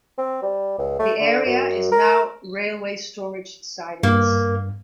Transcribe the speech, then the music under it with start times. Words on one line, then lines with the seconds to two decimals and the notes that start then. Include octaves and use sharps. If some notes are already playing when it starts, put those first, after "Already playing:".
The area is now railway storage sidings.
0.18 C4
0.42 G3
0.78 C#2
0.99 A3
1.19 D3
1.45 F#2
1.92 A#4
4.03 G2 A#3